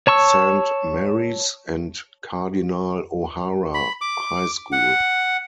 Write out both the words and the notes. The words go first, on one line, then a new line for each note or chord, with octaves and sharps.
Saint Mary's and Cardinal O'Hara High School.
C#5 A5 C#6 E6
B5
D6
F#5